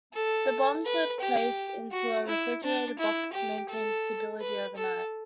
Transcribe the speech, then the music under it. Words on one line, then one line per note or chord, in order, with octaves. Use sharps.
The bombs were placed into a refrigerated box to maintain stability overnight.
A4
B4
G4
F#4
E4
D4
E4
G4
A4
B4
A4